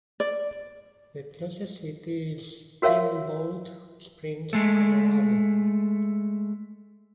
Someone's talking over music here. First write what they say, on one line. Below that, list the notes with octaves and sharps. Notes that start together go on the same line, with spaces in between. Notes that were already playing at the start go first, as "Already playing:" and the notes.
The closest city is Steamboat Springs, Colorado.
D5
F#4 A#4 C#5 E5 F5
G#3 A3